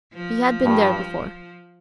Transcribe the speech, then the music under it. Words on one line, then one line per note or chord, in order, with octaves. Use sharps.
He had been there before.
F3
G2